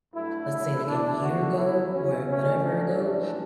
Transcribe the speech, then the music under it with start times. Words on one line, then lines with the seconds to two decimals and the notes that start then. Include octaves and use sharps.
let's say, like, a year ago or whatever ago,
0.14 G2 F#3 A3 E4
0.86 E2 D3 A3 D4
1.21 F#4
1.57 E2 C#3 E3 E4
1.92 C#4
2.29 A2 F#3 A3 C#4
2.65 D4
3.00 A1 A2 E3 A3